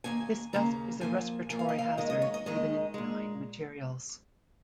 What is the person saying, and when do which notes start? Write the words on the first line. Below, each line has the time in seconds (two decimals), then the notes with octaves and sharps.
This dust is a respiratory hazard, even in benign materials.
0.04 D#2 C#3 A#3 G#5
0.53 D#2 C#3 A#3 A#5
1.01 A#2 F3 A#3 G#5
1.49 A#2 F3 A#3 G#5
1.59 F5
1.69 D#5
1.78 F5
1.97 D#2 D#3 G#3 D#5
2.10 D#5
2.22 C#5
2.34 D#5
2.46 D#2 D#3 G#3 D#5
2.94 A#2 G#3